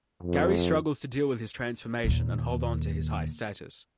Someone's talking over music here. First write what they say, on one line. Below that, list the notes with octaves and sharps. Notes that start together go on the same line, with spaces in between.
Gary struggles to deal with his transformation and hold on to his high status.
F2
D#2 A#2